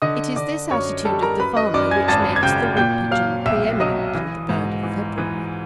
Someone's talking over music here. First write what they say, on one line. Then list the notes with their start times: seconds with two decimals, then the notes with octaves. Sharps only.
It is this attitude of the farmer which makes the woodpigeon pre-eminently the bird of February.
0.02 D3 D#5 D#6
0.36 D3 D5 D6
0.71 F#2 C#5 C#6
1.05 G3 A4 A5
1.23 A#4 A#5
1.40 F#2 B4 B5
1.57 D#5 D#6
1.74 F#2 D5 D6
1.91 G#5 G#6
2.08 G#1 A5 A6
2.36 G#6
2.43 C#3 G5 G6
2.77 A#2 G5 G6
3.11 F#3 F5 F6
3.46 B1 E5 E6
3.80 F#3 D#5 D#6
4.15 E3
4.49 G#2
4.83 E3
5.18 E3